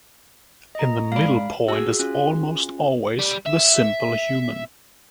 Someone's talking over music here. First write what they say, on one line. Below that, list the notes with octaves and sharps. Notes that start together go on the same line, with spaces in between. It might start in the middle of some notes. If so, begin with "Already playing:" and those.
In the middle point is almost always the simple human.
D#5 A#5
G#2 D5 F5 B5
F#4 G#4 E6
C#4 F4
G3
E5